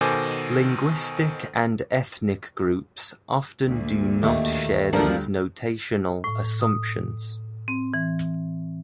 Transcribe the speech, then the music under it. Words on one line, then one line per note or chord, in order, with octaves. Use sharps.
Linguistic and ethnic groups often do not share these notational assumptions.
B2 D#3 A4 C5 G#5 D6
D2 A#2
D#2 D#3 A3
D2 F3 G3 A#3 D4
A2
D#6
C4
E3